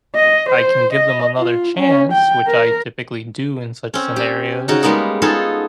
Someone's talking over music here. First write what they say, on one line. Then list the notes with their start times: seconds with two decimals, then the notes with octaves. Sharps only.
I can give them another chance, which I typically do in such scenarios
0.15 D#5
0.50 C5
0.93 D#5
1.38 F4
1.78 C#4
2.13 G5
2.48 A#4
3.94 C4 C#4
4.16 G4
4.68 C#3 D#4 F#4 F#5
4.83 G3 G#3 A#3 B3 D#4
5.22 B3 D#4 F4 G#4 A4